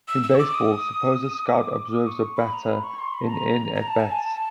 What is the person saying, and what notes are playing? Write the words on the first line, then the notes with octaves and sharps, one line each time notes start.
In baseball, suppose a scout observes a batter in "N" at-bats.
E6
E6
C#6
D6
D#6
D6
D#6
C#6
B5
A#5
B5
C#6
C6
B5
A5
A#5
A#5
A5
G#5
A5